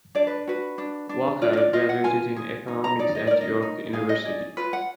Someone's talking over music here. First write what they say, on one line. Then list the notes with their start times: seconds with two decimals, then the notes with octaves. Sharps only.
Walker graduated in Economics at York University.
0.15 D4 D5
0.27 B4
0.48 F#4 B4
0.78 D4
1.09 D4
1.42 F4 D5
1.53 D#5
1.57 D5
1.73 F4 D#5
1.89 F#5
2.04 F4 G#5
2.36 G#4
2.68 D#4
2.84 A#5
2.99 D#4 D5
3.15 D#5
3.27 A#4 D5
3.41 D#5
3.62 D#4
3.93 G#4 F5
4.09 D#5
4.25 G#4 D5
4.57 F4 B4
4.73 F#5